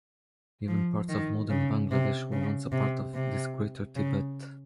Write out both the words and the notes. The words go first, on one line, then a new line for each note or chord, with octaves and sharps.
Even parts of modern Bangladesh were once a part of this Greater Tibet.
F3
D#3
C#3
C3
C#3
C3
C3
C#3